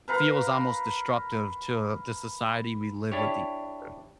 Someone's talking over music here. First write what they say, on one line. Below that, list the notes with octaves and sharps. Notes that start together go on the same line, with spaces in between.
feels almost destructive to the society we live with each other.
A#4 B4 F5 A#5
D4 E4 G4 C#5